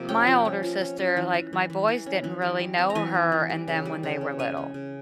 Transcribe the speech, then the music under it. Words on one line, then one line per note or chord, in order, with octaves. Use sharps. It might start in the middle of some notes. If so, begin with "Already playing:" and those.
my older sister, like, my boys didn't really know her and them when they were little.
Already playing: C3 F3 A#3
C#4 G5
F3
C#4
F3
C#4
C#4
E3
E3
E3
E3
E3
C#4
E3
G3
G3
C4
A#5
E3 G#5
C4
E3
G3
C#3
G3
C#3
C#4
C#4 G#5
C#4
C#3